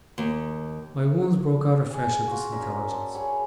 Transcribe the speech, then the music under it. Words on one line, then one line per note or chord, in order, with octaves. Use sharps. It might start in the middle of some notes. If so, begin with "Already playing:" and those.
My wounds broke out afresh at this intelligence.
D#2
G#4
F4 F#4
C#4 A#4 D5 E5
A4 C6
G#4 C#5 B5